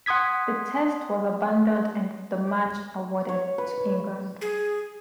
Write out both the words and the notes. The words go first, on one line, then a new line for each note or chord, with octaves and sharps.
The Test was abandoned and the match awarded to England.
F#5 C6 D#6 G#6 B6
C#5
B4
G#4